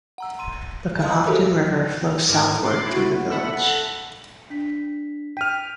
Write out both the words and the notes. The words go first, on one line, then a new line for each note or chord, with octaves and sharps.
The Conhocton River flows southward through the village.
F#5 A#5 E6
C6 D#7
D#5 F5 A5 C6 D#6
F#4 G4 A4 A#4 C5 E5
G#2 A#4 D6 G#6
A2
C6 D6 F#6 A6 C7
E4 F#4
A4 E5 F#5 B5
D4 B6
G5 F6 B6 D#7 F7